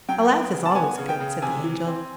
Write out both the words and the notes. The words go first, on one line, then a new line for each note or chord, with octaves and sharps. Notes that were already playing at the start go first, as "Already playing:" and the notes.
"A laugh is always good," said the Angel.
F#3 G5
B3
C#3
A5
B3 G#5
C#3
G5
C#3
C3 G#5
E3
C4